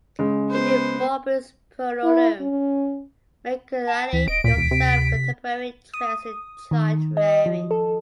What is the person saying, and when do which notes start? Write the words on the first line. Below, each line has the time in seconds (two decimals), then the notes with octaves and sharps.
In "De morbis puerorum", Mercuriali observed contemporary trends in child-rearing.
0.19 C#3 G#3
0.49 B3 C5
2.04 E4
2.40 C#4
3.87 A5
4.13 D2 E3 B6
4.28 D#1 D#5 D7
4.44 D2 A#2 B6
4.57 E1
4.71 C3
5.93 D#6
6.71 D#3
7.17 D#5
7.46 F3
7.71 A4